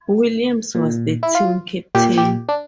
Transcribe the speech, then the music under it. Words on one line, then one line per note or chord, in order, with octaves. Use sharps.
Williams was the team captain.
A#2
E4
F4
A#2 G4
G4
D4